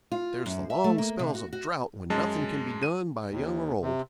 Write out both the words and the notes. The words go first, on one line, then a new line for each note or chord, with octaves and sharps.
There's the long spells of drought when nothing can be done by young or old.
F4
F#2
E5
A3
A#3
C3
F#4
F#4
F#2 G#3 A5
D#7
D#2
C3